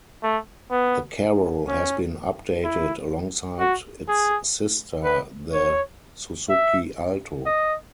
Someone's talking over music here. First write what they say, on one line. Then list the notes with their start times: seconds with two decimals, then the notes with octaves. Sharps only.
The Carol has been updated alongside its sister, the Suzuki Alto.
0.23 A3
0.71 B3
1.68 C#4
2.64 E4
3.60 F#4
4.08 G#4
5.04 B4
5.53 C#5
6.49 E5
7.46 D#5